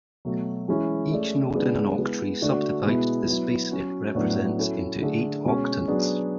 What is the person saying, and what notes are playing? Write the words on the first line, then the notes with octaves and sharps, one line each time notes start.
Each node in an octree subdivides the space it represents into eight octants.
B2 F#3 A3
E3 G#3 C#4 E4
A3 C#4 G#4 D5
C#3 G#3 B3 D4
G#3 B3 E4
D3 A3 D4 F#4
B2 G#3 B3 E4
F#3 B3 E4
F#3 C#4 F#4
A2 F#3 B3 D4 F#4
F#3 C#4 E4 A4
D3 A3 D4 G#4
B2 G#3 C#4
F#3 B3 D4 G#4